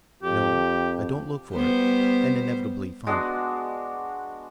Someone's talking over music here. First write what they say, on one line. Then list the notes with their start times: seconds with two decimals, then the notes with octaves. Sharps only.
No--I don't look for it--and inevitably find it.
0.23 F2 G4
1.51 G3 B3 C5
3.07 G#3 B3 D4 F#4